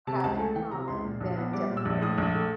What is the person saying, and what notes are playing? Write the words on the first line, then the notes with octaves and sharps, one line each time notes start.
have in common than differently.
C3 A5
C#2 A5
A3 G#5
E3 G5
C3 A#5
C#2 C6
A#2
A#1
B3
G3 D6
A#2
E6
A#1
A2 D#6
A#1
A3